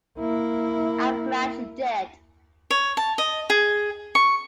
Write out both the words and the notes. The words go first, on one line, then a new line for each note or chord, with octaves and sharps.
I'm glad you did.
A#3 E4
C#5
A5
D#5
G#4
C#6